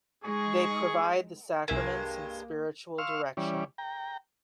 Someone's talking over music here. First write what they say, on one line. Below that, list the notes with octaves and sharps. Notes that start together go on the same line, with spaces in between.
They provide the sacraments and spiritual direction.
G#3 D#4 G#4 C#6
C2 G2 G#3 A#3 E5 G#5
F5 C6 C#6 E6 F6
E3 G3 C#4 D5
G5 A#5